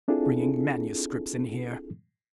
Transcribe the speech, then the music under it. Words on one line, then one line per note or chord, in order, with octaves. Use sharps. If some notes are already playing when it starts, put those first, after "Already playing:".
Bringing manuscripts in here!
C4 D4 E4 F4 G#4 A4